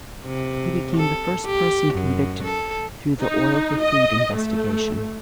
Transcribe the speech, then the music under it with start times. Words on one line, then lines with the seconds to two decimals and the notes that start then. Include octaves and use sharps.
He became the first person convicted through the oil-for-food investigation.
0.25 C3
0.96 A4
1.46 G4
1.94 F#2
2.43 A4
3.20 D#4
3.81 D#5
4.34 A3